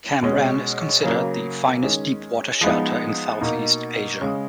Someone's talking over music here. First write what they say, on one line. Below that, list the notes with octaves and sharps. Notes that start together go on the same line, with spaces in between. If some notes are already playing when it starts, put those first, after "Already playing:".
Cam Ranh is considered the finest deepwater shelter in Southeast Asia.
B2 G#3 C#4
C#3 F#3 A#3
D#3 G#3 C#4
F3 G#3 B3 D#4
B2 A#3 D#4
C#3 G#3 C#4